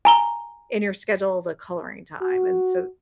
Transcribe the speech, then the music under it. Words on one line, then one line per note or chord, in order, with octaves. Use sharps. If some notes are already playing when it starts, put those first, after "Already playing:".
in your schedule the coloring time, and so,
G#5 A#5 G7
F#4